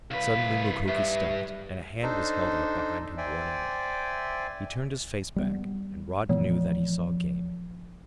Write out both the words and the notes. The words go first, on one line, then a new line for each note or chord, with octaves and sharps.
Suddenly Mukoki stopped, and a hand was held out behind him warningly. He turned his face back, and Rod knew that he saw game.
C2 B4 F5
G2 E5
D4 D#4 A4 C5
C5 D5 E5 G5 G#5
G3 B3
A#2 E3 F3 B3